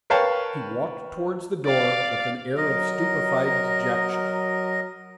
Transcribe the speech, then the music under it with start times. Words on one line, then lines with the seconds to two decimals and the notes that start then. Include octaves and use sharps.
He walked towards the door with an air of stupefied dejection.
0.10 A#4 B4 C#5 F5 G5 A5
1.65 D5 F5
2.57 F#3 A#4 D#5